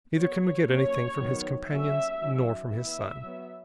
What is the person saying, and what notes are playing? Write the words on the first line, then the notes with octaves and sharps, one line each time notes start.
Neither can we get anything from his companions, nor from his son.
F#3 B3 C#5
F#3 A#3 C#4 C#5
D#3 F#3 B3
F#3 A#3 C#4 E5
D#3 F#3 C#4
E3 B3 E5
F#3 B3